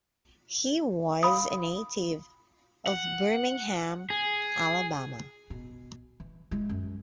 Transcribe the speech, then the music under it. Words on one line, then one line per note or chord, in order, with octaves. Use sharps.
He was a native of Birmingham, Alabama.
F5 B5 D#6
F#5
G#4
B2
E3
G#3 E4
F#2